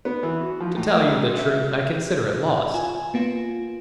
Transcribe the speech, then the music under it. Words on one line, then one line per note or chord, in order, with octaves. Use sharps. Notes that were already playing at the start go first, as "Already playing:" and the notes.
"To tell you the truth, I consider it lost."
B3
E3
F#4
F3
A2
A#4
G#3
F#4
E5
F4 G#5
A#3 B3 F4